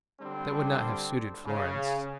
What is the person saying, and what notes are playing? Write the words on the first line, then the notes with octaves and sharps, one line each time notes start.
That would not have suited Florence.
D3 G3 C4 D4
C#3